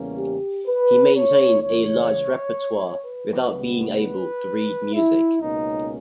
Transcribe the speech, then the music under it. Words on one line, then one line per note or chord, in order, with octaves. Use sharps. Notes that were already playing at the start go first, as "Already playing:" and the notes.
He maintained a large repertoire without being able to read music.
Already playing: E2 C#3 G3 A#3 C#4
G4
B4
C#5
C#2 C#3 E3 C#5
B4
C#2 C#3 G3 B3
B4
E4
C#2 B2 A#3 C#4 D#4